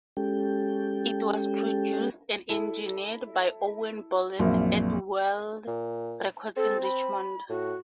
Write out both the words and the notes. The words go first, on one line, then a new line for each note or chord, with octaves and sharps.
It was produced and engineered by Owen Bolwell at Whirled Records in Richmond.
G#3 C#4 G4 A4 G5
E4 A4
A#1 F#2 A#3 C4 A#4 E5
A#2
C4 A4
B5
A2 F#4